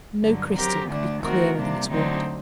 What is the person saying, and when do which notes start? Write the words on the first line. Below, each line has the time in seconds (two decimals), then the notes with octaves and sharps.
No crystal could be clearer than its waters.
0.20 G2 D3 F#3
0.54 F#3 C4 G4 A#4
0.88 D2 D3 A3 D4
1.22 D#3 A3 C4 F#4 A#4
1.55 C3 G3 A#3 D4
1.88 D2 D3 F#3 C4 D#4